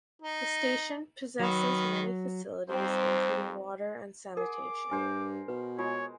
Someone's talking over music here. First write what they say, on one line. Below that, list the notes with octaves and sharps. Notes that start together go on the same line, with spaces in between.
The station possesses many facilities including water and sanitation.
D#4
D#3 F#3 B4
F2 G3 C4 D#4 C5
G#4 A#4 F#5 D6
G2 A#4 C5 G#5
B2 B4
G#3 F4 C#5